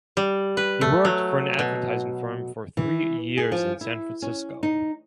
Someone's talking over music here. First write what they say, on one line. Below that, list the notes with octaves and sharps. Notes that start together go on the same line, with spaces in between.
He worked for an advertising firm for three years in San Francisco.
G3
B4
A3
F#3
B2
E3
G#4
F3
E4
C#4
D#4